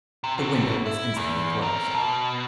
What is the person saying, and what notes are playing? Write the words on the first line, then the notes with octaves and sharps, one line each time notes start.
The window was instantly closed.
C3
C4 F#4
E4
E2
C4 A#4
B2